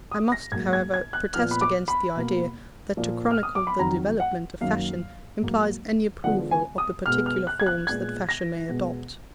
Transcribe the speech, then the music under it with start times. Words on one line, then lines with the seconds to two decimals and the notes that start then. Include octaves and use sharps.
I must, however, protest against the idea that to chronicle the development of Fashion implies any approval of the particular forms that Fashion may adopt.
0.11 D#6
0.32 A#6
0.52 G#2 F#3 A#3 G#6
0.73 G#6
0.94 G#6
1.13 F#6
1.34 A#2 F3 B3 F6
1.51 B5
1.61 D6
1.88 B5
2.16 B2 A#3
2.97 A#2 F3 A#3
3.31 F6
3.43 D#6
3.55 D6
3.67 B5
3.79 F2 D#3 F#3 A#5
4.20 F#5
4.61 F#2 D#3 F#3 A#3 F5
5.42 G#2 F#3 A#3
6.24 D3 F3 G#3 B3 F#5
6.51 G#5
6.78 D#6
7.06 B2 G#3 B3 F6
7.26 F6
7.47 F#6
7.60 G#6
7.66 F#6
7.87 A#2 G#3 B3 G#6
8.29 A#6
8.69 B2 G#3 B3